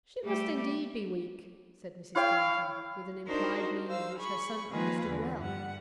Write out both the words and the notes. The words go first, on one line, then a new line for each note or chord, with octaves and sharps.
'She must indeed be weak,' said Mrs. Thornton, with an implied meaning which her son understood well.
G3 A3 G4
E4 C#5 F5 G5
D4 D#4 F#4 A#4 C5
C5 F5 E6
G#4 B5 C#6
D#3 F3 A#3 F4 G#4 B4
E2 D3 E3
G2 G3 F#5